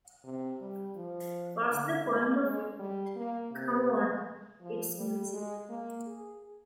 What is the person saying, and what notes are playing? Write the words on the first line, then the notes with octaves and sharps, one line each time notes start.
What's the point of it?' C'mon, it's music!
C3
G3
F3
D3
G#3
G#3
G3
A#3
C3
F3
G3
G#3
A#3
G#4